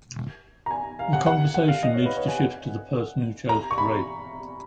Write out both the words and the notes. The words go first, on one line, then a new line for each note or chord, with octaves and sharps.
The conversation needs to shift to the person who chose to rape.
A#5
G#5
F5
F#5
F#5
F#5
F5
D#5
C#5
B4
C#5
G#5
F#5
A#5
C#6
B5